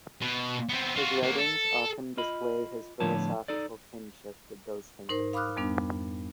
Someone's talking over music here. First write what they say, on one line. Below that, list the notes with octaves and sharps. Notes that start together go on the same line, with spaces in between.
His writings often display his philosophical kinship with those thinkers.
B2
B3 C4
F4 F#4
A#3 F#4
A4
F4 D#5 B5
A2 D3 F3 B3 C#5 A5
D#4 A4 D5
G#2 D#4 A#4 C5
F5 B5 D6 D#6 F6 F#6
F2 G3 B3 D4